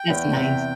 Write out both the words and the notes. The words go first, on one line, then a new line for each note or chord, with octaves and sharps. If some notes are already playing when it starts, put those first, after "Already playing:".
That's nice.
Already playing: G5
E2
C3